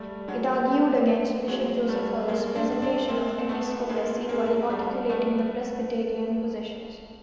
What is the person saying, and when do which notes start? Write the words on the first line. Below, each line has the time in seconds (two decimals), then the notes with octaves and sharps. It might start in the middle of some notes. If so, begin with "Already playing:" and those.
It argued against Bishop Joseph Hall's presentation of episcopacy, while articulating the Presbyterian positions.
Already playing: G3 A3
0.28 F#3 G#3
1.48 F#3 G#3
1.88 G3 A3
2.28 G#3 A#3
2.55 C4 D4
2.82 C4 D4
3.08 A#3 C4
3.49 A3 B3
3.89 G#3 A#3
4.29 G#3 A#3
4.70 G3 A3
5.10 A3 B3